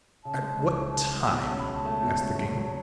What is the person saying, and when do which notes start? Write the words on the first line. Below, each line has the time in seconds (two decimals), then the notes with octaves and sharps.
"At what time?" asked the king.
0.25 C#3 A5
0.42 G#3
0.60 C#2
0.78 E3
0.96 C#3
1.14 G#3
1.21 F#5
1.32 B2 G#5
1.45 C#4 A5
1.59 B5
1.68 C#2 A5
1.85 A3
2.03 B2
2.21 C#4
2.39 E2
2.56 F#3